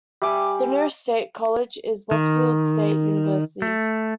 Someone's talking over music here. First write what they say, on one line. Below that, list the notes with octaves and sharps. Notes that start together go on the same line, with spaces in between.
The nearest state college is Westfield State University.
G3 E5 G#5 D6
D#3
A3